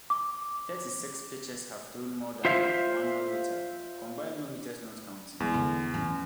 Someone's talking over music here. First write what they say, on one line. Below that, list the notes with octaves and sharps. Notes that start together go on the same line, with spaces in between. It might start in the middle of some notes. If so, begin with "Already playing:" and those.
Thirty-six pitchers have thrown more than one no-hitter, combined no-hitters not counting.
D6
F4 C5 E5 F5
E2 G#3
D3
E3 C#4